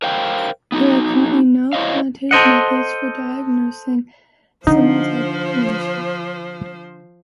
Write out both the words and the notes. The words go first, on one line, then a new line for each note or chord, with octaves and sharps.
There are currently no quantitative methods for diagnosing simultanagnosia.
A#4 C5 F5 G5
B3 D#4 F#4
E4 C5 C#5 D#5 F5
A4 C5 D#5 F#5
D3 F3 D#4 C5